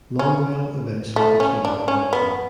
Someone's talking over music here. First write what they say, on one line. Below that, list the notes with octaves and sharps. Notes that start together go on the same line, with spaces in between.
Longwell eventually became her mentor.
C#4
A3
C#4
D4
C#4
B3